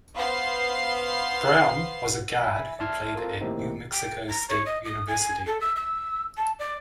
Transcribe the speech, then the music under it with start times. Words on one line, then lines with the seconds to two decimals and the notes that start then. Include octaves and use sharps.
Brown was a guard who played at New Mexico State University.
0.14 B3 C5 F5 C6 C7
2.42 E5 G#5 B5
2.79 D5 E5 A5 C6 F6 G#6
3.15 C4 F4 A4 A#4
3.41 A2 C3 D#3 A#3 C4 D#4
3.92 G5
4.28 A#5
4.49 C#5
4.66 D#5
4.85 D#6
5.08 G#5
5.46 A4
5.61 E6
5.76 E6
6.37 A5
6.59 D5